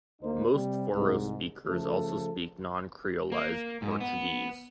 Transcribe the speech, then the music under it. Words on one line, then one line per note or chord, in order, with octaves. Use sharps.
Most Forro speakers also speak non-creolised Portuguese.
D2 A#3 D#4 C5
C3 G3
C2 G#2
C#3 F3 A3 A4
A#3
G#2
B3